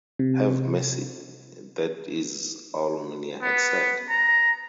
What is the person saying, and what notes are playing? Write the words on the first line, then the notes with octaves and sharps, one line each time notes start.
"Have mercy" that is all Munier had said.
C3
B3
A#5